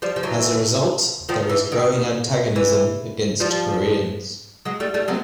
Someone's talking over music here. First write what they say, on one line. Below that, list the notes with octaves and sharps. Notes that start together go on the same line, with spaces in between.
As a result, there is growing antagonism against Koreans.
F3 G3
F3
E3 F#3
D#3 F3
E3
D#3
E3
F3 G3
F#3 G#3
G3 A3
G3 A3
F#3 G#3